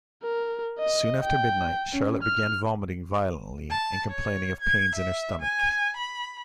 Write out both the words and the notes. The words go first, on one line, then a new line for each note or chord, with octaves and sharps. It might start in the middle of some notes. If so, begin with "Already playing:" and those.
Soon after midnight, Charlotte began vomiting violently and complaining of pains in her stomach.
A#4
D#5
G5
C#4
F6
A5
C#5
G#6
E5
G#5
B5